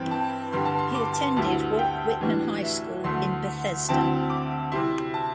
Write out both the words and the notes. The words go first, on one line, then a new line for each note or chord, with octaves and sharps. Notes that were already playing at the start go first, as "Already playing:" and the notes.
He attended Walt Whitman High School in Bethesda.
Already playing: G2 E3 C4 E4 G5
A5
G2 D3 G3 C6
A5
C6
D6
C6
A5
C6
D2 D3 G3 E4 A5
G5
A2 E3 G3 D4
E5
D2 D3 A3 C6
D2 D3 C4 E4 A5
D6
C3 G3 E4 C6
A5